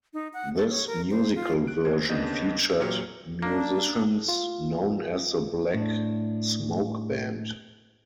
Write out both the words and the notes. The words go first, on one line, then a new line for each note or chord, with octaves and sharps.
This musical version featured musicians known as the Black Smoke Band.
D#4
F#5
A4
C#5
A#4
C5
F4
F#6 D7
D2 C5 G#6
D#2 C#3 B3 D4 D#5 G6
A#2 F#3 G4 C#5 F6 C#7
A#3 D4
F4
A2 D4